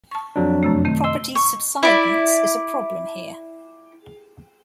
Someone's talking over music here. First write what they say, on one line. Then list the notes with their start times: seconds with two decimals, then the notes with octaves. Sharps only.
Property subsidence is a problem here.
0.11 A5 C#6
0.36 F2 F#3 D4
0.63 F#2 C3 A3
0.85 D#3 A3 C4
1.04 D#5 C6 E6
1.35 C#6
1.83 E4 D5